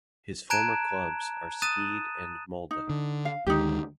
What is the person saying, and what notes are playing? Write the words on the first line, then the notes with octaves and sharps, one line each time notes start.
His former clubs are Skeid and Molde.
A5 A#5 F#6 G#6 D7 E7
D#6 F#6 A6 D#7 E7
D#4
D3
F5
D2 D#3 G#3 D#4 G4